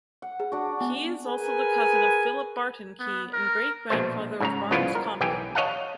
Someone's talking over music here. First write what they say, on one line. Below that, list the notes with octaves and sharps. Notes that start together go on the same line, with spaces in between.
Key is also the cousin of Philip Barton Key and great-grandfather of Barnes Compton.
F#5
G#4
D4 F#4
B3
G#4 A#4 B4 G#5
B3
A#4
A#1 B2 A3 C5
G#2 C#3 A#5
C2 C#3 F3 B3 E4 F4
A#4
B1 E3 G4 G5 G#5
C#5 D#5 F5 F#5 A5